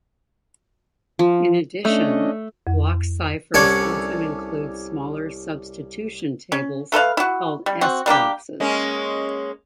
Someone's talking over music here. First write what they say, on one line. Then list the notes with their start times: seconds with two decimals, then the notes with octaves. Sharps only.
In addition, block ciphers often include smaller substitution tables called S-boxes.
1.19 F3
1.85 A3 C#4 D4 D#5
2.67 F2
3.54 C2 C#4 D4 A4 C#5 F#5
6.52 C#4
6.92 A3 A4 B4 F5
7.17 E4 F#4
7.66 G3
7.81 C4 F#4
8.06 G3 A#3 D4 G4
8.60 G#3 A#3 C#4